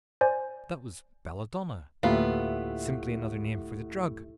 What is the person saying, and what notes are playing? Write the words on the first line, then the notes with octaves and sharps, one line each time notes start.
That was belladonna, simply another name for the drug.
C5 D5 G#5
D2 A2 A#3 B3 F4 G4 E5